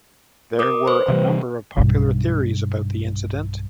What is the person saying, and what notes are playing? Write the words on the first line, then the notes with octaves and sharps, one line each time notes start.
There were a number of popular theories about the incident.
A#4 D6 D#6
B4 C5
C3 E3 G3
B1 G2